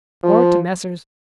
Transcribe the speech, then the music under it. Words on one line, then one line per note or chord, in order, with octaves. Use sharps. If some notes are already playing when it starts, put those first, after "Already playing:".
Or to Messrs.
F3